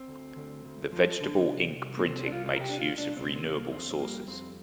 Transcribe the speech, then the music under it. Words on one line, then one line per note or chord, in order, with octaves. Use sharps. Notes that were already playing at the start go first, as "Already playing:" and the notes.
The vegetable ink printing makes use of renewable sources.
Already playing: C4
D2
D2
D2
F3
D3
C2
C2
A#3
C2 C4
C4
D4
C2 F4
F4
A#4
C3 G4
D4
F4
C2
D4
C2 C4
C4
C2 A#3
F2 C4
C4
G3 A#3
F2 C4